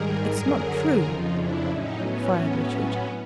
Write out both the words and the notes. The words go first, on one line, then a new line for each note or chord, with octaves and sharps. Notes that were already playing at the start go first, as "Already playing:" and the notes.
"It's not true!" fired Richard.
Already playing: G#2 D#3 G3 G#4 A#4
F#2 D3 F#3
F2 C#3 F3 D#4 F4
D4 E4
A2 F#3 C#4 D#4
B3 C#4
A2 F#3